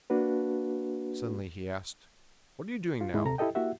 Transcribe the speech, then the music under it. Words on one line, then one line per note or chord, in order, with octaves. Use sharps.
Suddenly he asked: "What are you doing now?"
A#3 D4 F#4 B4
F4
G#2 G#3 E4
C3 A4 A#5
E4 G4 A4 D#5 G5
A#3 E4 F#4 G4 E5 F#5